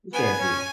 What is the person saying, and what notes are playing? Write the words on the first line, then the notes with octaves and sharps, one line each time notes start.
It can be.
B3 B4 G#5
C#4 C#5